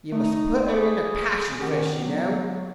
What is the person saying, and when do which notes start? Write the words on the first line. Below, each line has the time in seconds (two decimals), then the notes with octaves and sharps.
You must put her in a passion first, you know.
0.12 A3 D#4
0.24 A#5 C#6 D#6
0.68 G#4 B5 C#6 D6
1.59 D#3 C#4 G4 F#5
2.02 F#3 B3